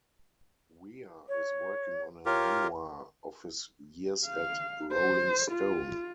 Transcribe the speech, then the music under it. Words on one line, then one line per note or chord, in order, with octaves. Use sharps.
Weir is working on a memoir of his years at Rolling Stone.
C#5
F4 G4 A#4 C#5
F5
C5
F4